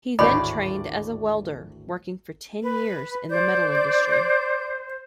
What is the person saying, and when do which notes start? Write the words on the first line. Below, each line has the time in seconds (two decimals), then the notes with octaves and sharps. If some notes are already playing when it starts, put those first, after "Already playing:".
He then trained as a welder, working for ten years in the metal industry.
0.19 G#1 D2 A2 C#5 D5 B5
2.61 B4
3.30 C5 D5 G6